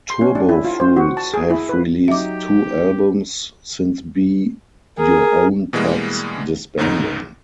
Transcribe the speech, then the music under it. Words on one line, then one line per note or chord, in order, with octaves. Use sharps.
Turbo Fruits have released two albums since Be Your Own Pet's disbanding.
C6
C#4
D4
E4
F4
C5
F#4
A5
G#4
E4
B4
F#3 D#4 G4 E5 D6
G#4 A#4
B2 E3 G3 G#3 A#3
A1 D2 G#2 C#3 D#4